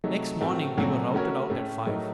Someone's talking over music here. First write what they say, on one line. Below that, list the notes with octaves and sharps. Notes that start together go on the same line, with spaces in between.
Next morning we were routed out at five.
C3 F#3 A3 D#4
A2 A3 C4 F#4 A#4
A#2 F#3 A3 C4 F#4
A3 C#4 F#4 A#4 C#5
A2 A3 C#4
A2 F#3 A3 D#4 A#4